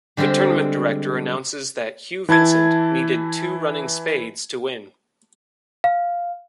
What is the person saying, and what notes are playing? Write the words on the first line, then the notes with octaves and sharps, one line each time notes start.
The tournament director announces that Hugh Vincent needed two running spades to win.
D3 G3 G#3 C4
E3 E4 A5 G#6
F5